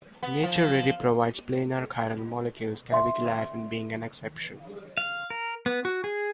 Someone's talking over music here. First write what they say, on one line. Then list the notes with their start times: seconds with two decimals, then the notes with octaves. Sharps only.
Nature rarely provides planar chiral molecules, cavicularin being an exception.
0.23 B3
0.43 F3
2.92 E5 C6
4.97 F5
5.30 A#4
5.66 B3
5.85 F#4
6.04 G#4